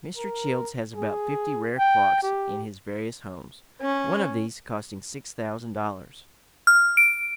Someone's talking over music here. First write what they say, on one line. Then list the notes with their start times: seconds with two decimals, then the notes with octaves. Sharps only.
Mr. Childs has about fifty rare clocks in his various homes, one of these costing six thousand dollars.
0.17 A#4
0.95 G#4
1.79 G5
2.23 G4
3.81 C#4
6.67 F6
6.97 D7